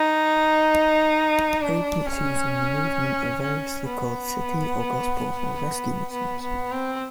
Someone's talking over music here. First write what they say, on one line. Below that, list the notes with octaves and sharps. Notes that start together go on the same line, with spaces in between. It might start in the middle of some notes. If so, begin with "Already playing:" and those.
Agencies in the movement are variously called "City" or "Gospel" or "Rescue" Missions.
Already playing: D#4
D4
C#4
C#4
B3
B3
B3
C4